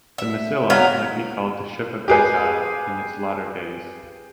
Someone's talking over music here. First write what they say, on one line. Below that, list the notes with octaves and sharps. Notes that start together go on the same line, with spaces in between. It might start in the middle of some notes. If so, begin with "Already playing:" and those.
The "Massilia" might be called "the ship of exile" in its latter days.
E5
F#3 B3 F5
G4 G#4 B4